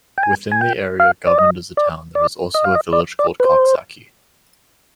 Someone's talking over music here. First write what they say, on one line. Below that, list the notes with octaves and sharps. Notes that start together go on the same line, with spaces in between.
Within the area governed as a town, there is also a village called Coxsackie.
G5
G#5
G#5
G5
F5
D5
D#5
D5
D5
D#5
F5
D#5
D5
D5
B4
C5